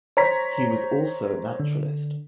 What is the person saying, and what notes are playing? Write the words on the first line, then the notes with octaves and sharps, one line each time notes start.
He was also a naturalist.
C5 C#5 A#5 B6
D3